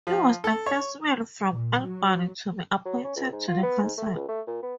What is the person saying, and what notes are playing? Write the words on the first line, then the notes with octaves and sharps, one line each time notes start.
He was the first man from Albany to be appointed to the council.
F3
A4
C#5
A#2
F#3
F#3
C#4
C#2
G#2
F4
B3
G#2
A3
C#2
A3
A#2
B3